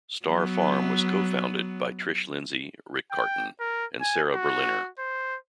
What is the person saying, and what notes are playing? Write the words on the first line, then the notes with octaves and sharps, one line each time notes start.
Star Farm was co-founded by Trish Lindsay, Rick Carton and Sara Berliner.
F#3 B3
G5
A#4
G#5
F#4
C5